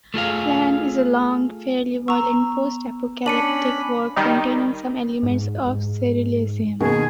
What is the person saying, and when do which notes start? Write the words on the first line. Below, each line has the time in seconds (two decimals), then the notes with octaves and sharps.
"Flan" is a long, fairly violent post-apocalyptic work containing some elements of surrealism.
0.14 A3 F4 G#4 F5
2.08 B3 A#5 C#6 E6
3.26 C#4 D4 B5 C#7 D#7 F#7
4.16 D#3 G3 D#4
5.23 G#2
5.67 G#2
6.80 B2 D#3 A#3 G#4